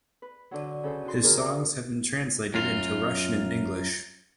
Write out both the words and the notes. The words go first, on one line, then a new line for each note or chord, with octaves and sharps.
His songs have been translated into Russian and English.
B4
D3 F#3
C#3 A4 C5
F#4 C6
D3 G#4 A#4
F#2 F4